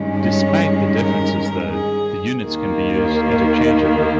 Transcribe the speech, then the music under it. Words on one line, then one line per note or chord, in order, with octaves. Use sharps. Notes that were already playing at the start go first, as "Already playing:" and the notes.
Despite the differences though, the units can be used interchangeably.
Already playing: G2 D#3 G#3 C#4
C#5
A#4
G#4
D#2 D#3 A#3